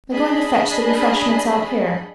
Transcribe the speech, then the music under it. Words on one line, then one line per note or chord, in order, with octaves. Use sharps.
"They're going to fetch the refreshments out here."
D4 G#4 D#5 B5